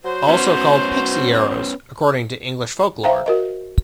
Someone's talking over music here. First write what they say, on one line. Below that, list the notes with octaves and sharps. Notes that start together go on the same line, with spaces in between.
Also called 'pixie arrows', according to English folklore.
F#3 F#4 C5
B3 C#4
C5 E5 F5 G5 A#5
F#4 A#4 D#5